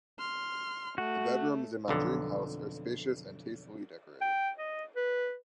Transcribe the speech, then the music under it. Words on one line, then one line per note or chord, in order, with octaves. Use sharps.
The bedrooms in my dream house are spacious and tastefully decorated.
C6 F6
A3 F#4
B1 F2 D3
G5
D#5
B4